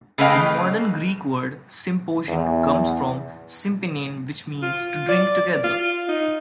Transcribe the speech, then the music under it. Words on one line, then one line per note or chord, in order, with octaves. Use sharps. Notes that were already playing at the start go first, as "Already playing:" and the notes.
The modern Greek word "symposion" comes from "sympinein", which means "to drink together".
C#3 A3 B4 D#5 F5 G5
E2
F4
D5
F4
D#4